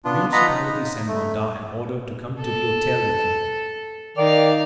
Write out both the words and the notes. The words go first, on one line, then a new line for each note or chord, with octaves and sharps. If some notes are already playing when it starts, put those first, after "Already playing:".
The municipality sent Mandat an order to come to the Hotel-de-Ville.
B3 D4 F4
F4 D#5 F#5 A#5 B5
D#4
A3
A4
D#3 D#4 D5 F5